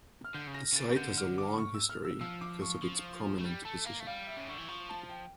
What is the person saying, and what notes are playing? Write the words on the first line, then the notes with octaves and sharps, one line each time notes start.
The site has a long history, because of its prominent position.
F6
D3 G6
C#3
A#6
C#3 A6
D3 G6
F6
D6
C#6
E6
F6
E6
F3 E6
D6
C#6
F3
A3
G3
A3 A5
A#3 F5
A3
G3 F5
E5
C#3
D3 C#6
E3
F3 C#6
A5
G5